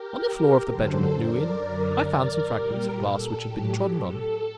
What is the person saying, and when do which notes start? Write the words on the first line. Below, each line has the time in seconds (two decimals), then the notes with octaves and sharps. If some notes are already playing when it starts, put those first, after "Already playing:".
On the floor of the bedroom at New Inn I found some fragments of glass which had been trodden on.
Already playing: G4 A#4
0.69 F#2 D3 F#3 A4 C5
1.15 A#4 D5
1.60 F#2 D3 F#3 A#4 D5
2.06 A#4 D5
2.51 A#2 G3 G4 A#4
2.97 A4
3.42 A2 F#3 G4
3.88 A4